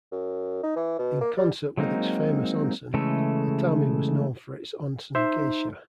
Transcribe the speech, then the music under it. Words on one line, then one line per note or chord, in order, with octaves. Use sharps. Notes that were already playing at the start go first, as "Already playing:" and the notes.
In concert with its famous onsen, Atami was known for its onsen geisha.
F#2
D#4
E3
B2
A#3
G3
F#3 G#3 A#3 C4 D#4
C#3 E3 G#3 A3 A4
D#4 C5 E5